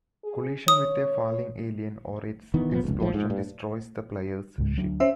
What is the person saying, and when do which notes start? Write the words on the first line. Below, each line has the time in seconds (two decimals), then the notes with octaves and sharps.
Collision with a falling alien or its explosion destroys the player's ship.
0.24 G#4
0.68 C#5 D#6
2.54 D#3 E3 B3
2.71 F1 A#2 F3 B3
2.84 F1 C#2
3.00 A#1 G#2 F3
3.14 G#2
3.30 G2
4.58 C#2 G#2
4.77 D2 F#3 D4
5.00 C#4 C5 E5